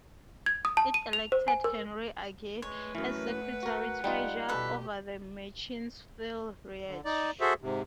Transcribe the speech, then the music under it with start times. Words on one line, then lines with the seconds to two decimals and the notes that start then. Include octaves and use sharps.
It elected Henry Agee as secretary-treasurer over the Machine's Phil Reich.
0.46 G#6
0.65 D#6
0.77 A5
0.94 D#7
1.13 F7
1.32 C5
1.48 G#5
1.64 A#4
2.62 G#3 A3 B4 C#5
2.95 F#2 E3 A#4
3.28 F#5
3.63 F#4 A#4
4.04 G3 D#4 F4 G4
4.49 B2 G4 A4 B4
6.87 D3
7.05 D#4 D5
7.41 F#4 G#4 A4 C5 E5
7.62 G#2 C3